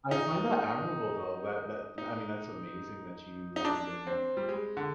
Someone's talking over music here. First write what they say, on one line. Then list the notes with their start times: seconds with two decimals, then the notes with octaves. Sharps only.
I find that admirable, though, that that I mean, that's amazing that you even it, uh
0.11 D#4
1.98 D#4
3.56 D#4
3.65 D4
4.07 C4
4.37 G3
4.49 G#3
4.77 D3